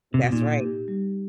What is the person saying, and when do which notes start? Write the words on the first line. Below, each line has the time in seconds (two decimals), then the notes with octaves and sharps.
That's right.
0.14 C3
0.23 B2
0.32 A#2 D#4
0.60 G4
0.88 G3